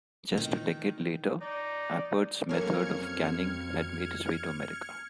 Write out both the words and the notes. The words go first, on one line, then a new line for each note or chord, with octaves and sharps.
Just a decade later, Appert's method of canning had made its way to America.
D#3
D#4 D5
F2 F#3 A#3 C#4 A4 F6 G#6 C#7